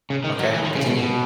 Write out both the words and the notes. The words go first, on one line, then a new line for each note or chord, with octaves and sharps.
Okay, well, continue.
C#3
D#3
F#3
E3
D#3
C#3
B2
B2